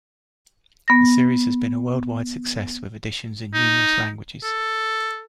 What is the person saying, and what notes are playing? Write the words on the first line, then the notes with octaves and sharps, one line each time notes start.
The series has been a worldwide success with editions in numerous languages.
B3 A#6
D#4
A4